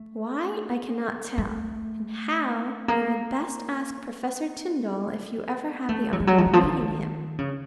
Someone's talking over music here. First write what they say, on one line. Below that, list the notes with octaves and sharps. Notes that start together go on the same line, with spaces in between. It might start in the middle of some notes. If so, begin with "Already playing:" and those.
Why, I cannot tell: and how, you had best ask Professor Tyndall, if you ever have the honour of meeting him.
Already playing: A3
A3
A#3
A3
F#3
F3
F#3
F3
D#3
F3
D#3
C#3